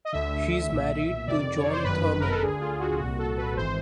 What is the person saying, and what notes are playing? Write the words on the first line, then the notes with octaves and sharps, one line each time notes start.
She is married to John Thurman.
D#5
D2 D3 E5
B1 A#2
F2 C3 D#3 D5
C#5
C5
G1 F#2 D#3 B4
B4
A#4
A4
D2 D3 G#4
F4
F#4
C2 A#2 F#4
A4
B4
G#1 E3 C5